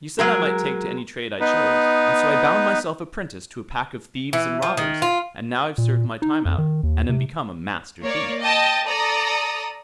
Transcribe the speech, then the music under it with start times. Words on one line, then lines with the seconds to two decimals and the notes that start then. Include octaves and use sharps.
'You said I might take to any trade I chose, and so I bound myself apprentice to a pack of thieves and robbers, and now I've served my time out, and am become a Master Thief.'
0.19 F#3 G#3 A#4
1.40 B3 D#4 B4
4.33 E3
4.62 F3
4.77 D#3
5.02 F4
5.78 A#2
6.22 D#4
6.45 F2
6.58 D#3
6.83 D#2
7.09 C3
8.02 A#3 C#5 D5
8.42 D#5 G5 A5
8.88 A4 D5 A#5 D#6